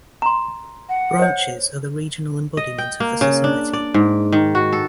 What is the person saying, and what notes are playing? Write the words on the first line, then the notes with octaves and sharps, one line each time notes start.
Branches are the regional embodiment of the Society.
A#5 C6
F#5
C5 C#5
D#5
G5
A#3
C#3
D4
D5
G#2
D#3
F#4
A4